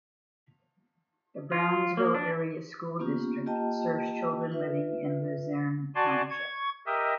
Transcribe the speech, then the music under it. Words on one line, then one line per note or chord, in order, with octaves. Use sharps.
The Brownsville Area School District serves children living in Luzerne Township.
F4
A#3
D4
A#3 B3 C#4 F4 G4
A#3 F4 G4 D#5 G5 A5
F4 B4 E5
F#4 D5 G#5 A5 C6
C#6 G#6
G4 A#4 D#5 E5